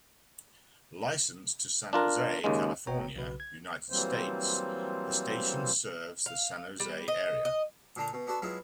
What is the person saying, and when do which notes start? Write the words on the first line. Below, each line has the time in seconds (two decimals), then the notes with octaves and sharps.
Licensed to San Jose, California, United States, the station serves the San Jose area.
1.93 D4 F4 A#4
2.44 D#2 C#3 G#3
2.87 G1 B3 F#4 C#5 G5 A#5
3.16 B1 C#3 F#4 B4
3.40 G#6
3.90 E3 F#3 G3 A#3 C4 C5
6.26 F5
6.80 G3
7.08 D#5
7.45 D#5
7.96 A#2 D3 D4 A#5 C6
8.13 B2
8.27 B3 D4 F#4 A4 B4
8.42 F#3 G#3 B3 E4 F4